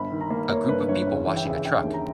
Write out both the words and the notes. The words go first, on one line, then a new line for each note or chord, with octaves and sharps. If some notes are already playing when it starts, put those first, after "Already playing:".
A group of people washing a truck.
Already playing: G1 B5
D#3
A#5
A#3
A#3 C#5
G2 B4
G1 C#5
C#3 C#5
E3
E5
G5
C#3
E5
C#3 G5
D#2
A#5